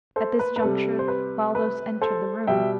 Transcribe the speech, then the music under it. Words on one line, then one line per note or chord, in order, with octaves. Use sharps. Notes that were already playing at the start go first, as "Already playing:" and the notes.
At this juncture Baldos entered the room.
A4 C5
B4
B4
C3 G3 A4
C5
B4
B4
A4 C5
B2 G3 E5 G5